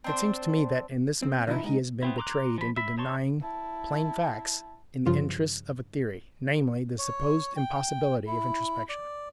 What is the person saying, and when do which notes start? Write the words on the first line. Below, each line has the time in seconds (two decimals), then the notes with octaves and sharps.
It seems to me that in this matter he has been betrayed into denying plain facts in the interests of a theory, namely, the supposed impossibility of introspection.
0.04 C4 D4 C5
1.22 C4
1.47 D3 F3 D#4 E4
1.63 G#2 D#4
2.03 B3 C4 E4
2.18 A#5 C6 D6 D#6 F#6
2.58 F3 B5
2.76 E5 B5
2.98 D#4 C#5 A5 C6 C#6
3.42 E4 A5
5.06 G2 C#3 F3 F4
6.98 C#5
7.56 G5
8.27 E4
8.89 D5